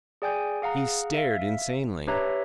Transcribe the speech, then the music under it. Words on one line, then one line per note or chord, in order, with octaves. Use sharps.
He stared insanely.
G#4 D5 G5 G#5 G6
G#4 F5 F#5 A#5
E5 F5
D4 G4 B4 C#5 E5 A#5